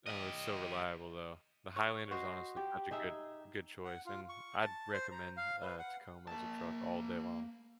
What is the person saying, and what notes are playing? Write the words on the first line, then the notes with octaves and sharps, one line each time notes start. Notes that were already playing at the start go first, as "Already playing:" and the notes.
Oh, it's so reliable, though. The Highlander's honestly such a good good choice, and I'd recommend, uh, Tacoma as a truck all day long
G4 D#5
C#5
F#4 C5 D#5
G4
D#4 G#4 E5
F#5
F4
C#6
A5
C5
A#5
F5
B4
F#5
A#3 A5